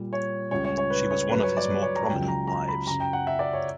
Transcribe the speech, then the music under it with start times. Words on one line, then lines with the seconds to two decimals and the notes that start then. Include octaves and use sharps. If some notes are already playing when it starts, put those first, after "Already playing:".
She was one of his more prominent wives.
Already playing: A#2 G3
0.13 C#5
0.51 C#2 C#3 G3 C#5
0.64 C#5
0.78 C#5
0.90 B4
1.11 C#5
1.30 G2 F#3 B4
1.43 C#5
1.57 D5
1.69 B4
1.82 C#5
1.96 A#5
2.09 C#2 C#3 F#3 G5
2.28 A#5
2.47 A#5
2.68 B5
2.87 F#2 C#3 F#3 A#5
3.00 G5
3.13 F#5
3.27 E5
3.39 D5
3.53 C#5